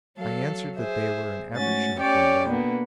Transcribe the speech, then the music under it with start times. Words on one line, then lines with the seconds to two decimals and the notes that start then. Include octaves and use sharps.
I answered that they were in every shop window.
0.18 F#3 A4 F5
0.77 G#4 C5 E5
1.53 G#2 A3 C#4 F#4 A6
1.99 C#4 G4 C#5 D5 G5
2.48 B2 D3 A#3 B3